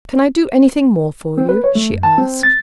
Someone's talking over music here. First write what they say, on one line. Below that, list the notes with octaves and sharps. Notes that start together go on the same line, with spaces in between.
"Can I do anything more for you?" she asked.
C4
B4
C#5
A3
F#2
A5
C4
A6